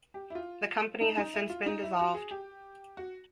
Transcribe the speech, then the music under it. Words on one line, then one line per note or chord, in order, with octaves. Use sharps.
The company has since been dissolved.
G4
E4
F4
D#4
D#4
E4
F4
D#4
E4
F#4
G#4
G4
F#4